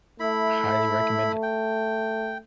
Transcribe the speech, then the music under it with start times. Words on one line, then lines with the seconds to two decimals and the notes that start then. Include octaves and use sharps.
highly recommend it,
0.20 A3 E4 B5
1.43 G5